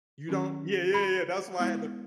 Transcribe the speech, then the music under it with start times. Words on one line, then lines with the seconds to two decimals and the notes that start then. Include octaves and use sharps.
You don't Yeah, yeah, yeah, that's why I had to
0.29 D#3 F#3 C#4
0.94 B5
1.59 G#3 B3 E4